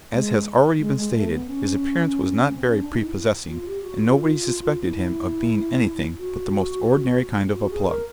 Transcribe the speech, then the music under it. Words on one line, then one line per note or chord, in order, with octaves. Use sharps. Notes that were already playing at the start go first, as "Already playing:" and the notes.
As has already been stated, his appearance was not very prepossessing, and nobody suspected him of being anything but the most ordinary kind of a plug.
G#3
G#3
G#3
A3
B3
C#4
C4
C#4
D4
D#4
E4
F4
G4
F#4
F4
E4
F#4
F#4
G#4
A#4